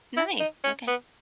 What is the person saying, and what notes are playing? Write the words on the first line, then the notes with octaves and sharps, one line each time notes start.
Nice, okay.
E4
D#4
C#4
B3